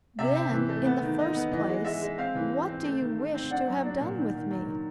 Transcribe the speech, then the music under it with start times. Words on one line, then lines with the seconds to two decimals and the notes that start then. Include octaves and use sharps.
Then, in the first place, what do you wish to have done with me?
0.19 C3 E5
0.35 C4
0.52 E3
0.69 A3
0.85 B3
1.02 D#3
1.19 D#4
1.35 B3
1.52 E3 D#5
1.68 G#3
1.85 G#3 E5
2.01 G#3
2.18 C4 F5
2.35 E3
2.52 C4
2.68 C4
2.85 A3
3.01 D#3
3.18 A3
3.34 C4
3.51 D4 F#5
3.67 F#3
3.85 D4
4.00 A#2
4.17 D#3
4.34 D#3
4.51 F#3
4.67 D#3